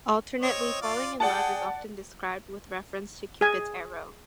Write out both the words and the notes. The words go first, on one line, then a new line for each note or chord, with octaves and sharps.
Alternately, falling in love is often described with reference to Cupid's arrow.
C4 C#5 D#5
F4 D5 F5
G#4 D5 F#5 G5 A5
G#4 G#5